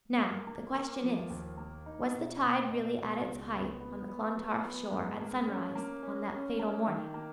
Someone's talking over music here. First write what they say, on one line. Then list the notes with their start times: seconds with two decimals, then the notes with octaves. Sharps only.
Now, the question is, was the tide really at its height on the Clontarf shore at sunrise on that fatal morning?
0.18 A#3
0.47 A#3
0.75 A#3
1.03 F3
1.30 D#2
1.57 A#3
1.86 D#4
2.13 B2
2.41 B2
2.69 B2
2.97 B2
3.25 C#2
3.52 B3
3.81 B3
4.08 B3
4.37 F#3
4.65 B3
4.92 G#2
5.20 A#3
5.47 C#4
5.75 A#3
6.03 C#4
6.30 C#4
6.59 A#3
6.87 D#3
7.14 A#3